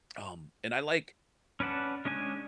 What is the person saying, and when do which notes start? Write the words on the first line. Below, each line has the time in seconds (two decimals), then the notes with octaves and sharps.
Um, and I like
1.60 C#4 B4 D5 F#5 A5
2.05 G#3 C#4 D4 G#5